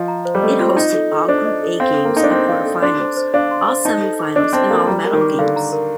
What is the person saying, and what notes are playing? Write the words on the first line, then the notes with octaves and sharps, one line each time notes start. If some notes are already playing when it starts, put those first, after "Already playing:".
It hosted all Group A games and quarterfinals, all semifinals and all medal games.
Already playing: F3 F4 D#5
A#5
C5
G3
A3 D#5
C4 F4
D#4 D#5
A4
A4
D4 C5
D#5
A4
C4 F5
A4
A#3
D#4 A4
D4
C4 D5
F5
A4
D4 C6
C5
C5
D4 F5
C6
C5
D#4 A5
A4
D6
D4 D#5
C4 A5
A#3 A4
G3 A#5
A#4
D#3
D6
D3 F5
A#5
A#4